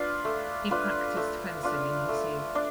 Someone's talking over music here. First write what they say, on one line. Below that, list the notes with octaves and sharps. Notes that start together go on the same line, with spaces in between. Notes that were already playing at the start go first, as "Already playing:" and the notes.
He practised fencing in his youth.
Already playing: D4 F4 B4
A3
D4 F4 B4
A3
D4 F4 B4
A3
D4